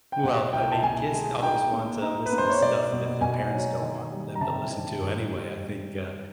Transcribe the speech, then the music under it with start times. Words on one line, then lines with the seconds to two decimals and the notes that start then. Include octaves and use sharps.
Well, I mean, kids always want to listen to stuff that their parents don't want them to listen to anyway. I think, uh,
0.12 G5
0.23 B2 F#5
0.53 C2 G5
0.72 A5
0.83 C2 G#5
1.13 G#3
1.43 D#4 G5
1.73 A#3
2.02 D#4
2.26 B4
2.33 A#3
2.38 C5
2.50 C#5
2.62 B2 D5
2.92 B2
3.21 B2 G#5
3.51 F#3
3.81 D#3
4.12 G3
4.35 A#5
4.41 C3 A5
4.71 D#3
5.01 G2
5.30 G3